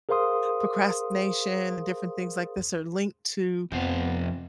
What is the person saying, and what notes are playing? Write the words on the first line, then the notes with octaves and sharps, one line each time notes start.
procrastination and different things like this are linked to,
G#4 A#4 C5 F5 C6 D#6
F2 C3 F3 B3 C5